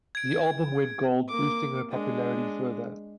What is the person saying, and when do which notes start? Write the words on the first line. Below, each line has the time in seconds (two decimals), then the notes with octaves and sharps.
The album went gold, boosting her popularity further.
0.15 G#6 D7
1.28 A#3 D6
1.91 G#3 D4